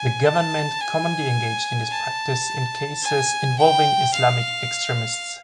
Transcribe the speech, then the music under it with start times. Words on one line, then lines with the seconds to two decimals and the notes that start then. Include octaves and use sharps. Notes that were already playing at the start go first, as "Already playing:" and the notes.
The government commonly engaged in this practice in cases involving Islamic extremists.
Already playing: G#5
0.26 A5
0.81 G#5
1.91 A5
3.03 G#5
3.58 G5
4.14 F5